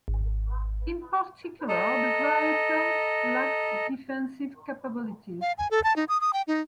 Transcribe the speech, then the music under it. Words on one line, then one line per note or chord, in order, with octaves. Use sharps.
In particular, the vehicle lacked defensive capabilities.
G#1
A4 D#5 A#5
F5
G#5
A4
A5
D#4
D#6
D#6
G5
D#4